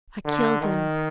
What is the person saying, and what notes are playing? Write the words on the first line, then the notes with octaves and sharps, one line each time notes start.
I killed him.
D3
D#3